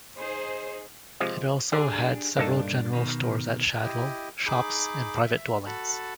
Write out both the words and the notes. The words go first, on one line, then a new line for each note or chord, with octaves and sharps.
It also had several general stores at Shadwell, shops, and private dwellings.
D#4 G#4 C5
C3 F3 G#3
D3 D4 G4 G#4
G2 A#2 A#3 D4 D#4 A4
B2 D#3
E4 G4 D#5
D#4 G#4 B5 D6
E5
F#4 A4 A5 B5